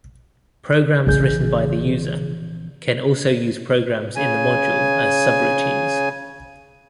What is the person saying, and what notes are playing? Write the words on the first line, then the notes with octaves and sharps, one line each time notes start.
Programs written by the user can also use programs in the module as subroutines.
A#1 C#3 E3 G#4 G6
C#3 G#5